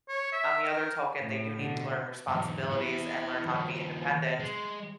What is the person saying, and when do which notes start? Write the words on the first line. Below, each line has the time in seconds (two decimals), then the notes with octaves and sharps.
on the other token, they do need to learn responsibilities and learn how to be independent,
0.09 C#5
0.33 E5
0.63 A#4
1.19 A2
1.56 B2 D3
2.28 E2 G#2
2.70 B3 E4
3.47 D#2 F3
4.40 G#3